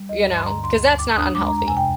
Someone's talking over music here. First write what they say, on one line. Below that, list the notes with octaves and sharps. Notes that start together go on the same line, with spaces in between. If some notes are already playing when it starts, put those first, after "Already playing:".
you know, cause that's not unhealthy.
Already playing: G3
D2 D#5
G2
C6
D3 A#5
D2 C6
D2
D#2 D6
D4 D#6
G#3 D6
A#5
F2
A#5
C3 G#5
G5